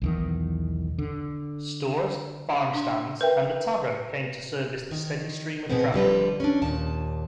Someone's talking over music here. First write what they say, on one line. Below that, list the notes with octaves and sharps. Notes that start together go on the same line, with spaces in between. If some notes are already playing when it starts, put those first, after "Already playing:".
Stores, farm stands, and a tavern came to service the steady stream of traffic.
B1 E2 D#3
D3
D4 C6
A#4 B4 E5 G5
D#3
B2 F#3 G#3 B3 C4
D3 F3 G3 B4
C#4 D4
D#2 A#2 A5